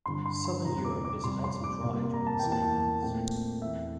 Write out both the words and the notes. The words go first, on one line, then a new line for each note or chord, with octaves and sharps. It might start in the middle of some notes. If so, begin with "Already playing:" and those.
Southern Europe is hot and dry during the summer months.
G2 D3 G3 C6
C6
C6
E2 C3 G3 C4 A#5
D6
D6
F2 C3 G3 C6
C6
D6
C3 G3 A#3
A#5
A5
E2 E3 A#3 G5
A5
A#2 A3 C4 G5
E2 E3 A3 C4 E5